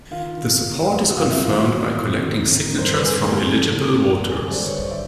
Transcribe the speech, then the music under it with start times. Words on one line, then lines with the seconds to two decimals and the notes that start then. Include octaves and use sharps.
The support is confirmed by collecting signatures from eligible voters.
0.11 D#3 F4
0.37 D#3
0.65 C#3
0.91 F#2
1.10 F#4
1.18 G2 F4
1.30 E4
1.44 D#3 F4
1.58 E4 F#4
1.72 E3
1.98 A2
2.24 D#3
2.51 D#3
2.78 G2 A#4 C5
2.94 B4
3.05 D3 G#4 A#4
3.26 A#4
3.31 A2 G4 A4
3.57 A2
3.85 D3
4.12 F#2
4.29 G#4
4.38 G2 G4 A4
4.51 C5 D5
4.64 D3 B4 C#5
4.78 C5 D5
4.91 D#3 D5 E5